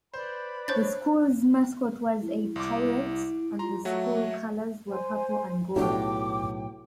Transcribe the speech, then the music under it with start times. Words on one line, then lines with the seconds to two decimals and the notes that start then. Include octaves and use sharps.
The school's mascot was a pirate and the school colors were purple and gold.
0.14 B4 C5 D5 B5
0.68 D4 C5 C#5 G6 A6
2.22 E4
2.56 C2 C6 D6
3.59 F4 A#5 C6
3.85 F#3 A3 F#4 E5
4.88 C5 G#5
5.76 B1 A2 D4 F#4 G4 G5 D6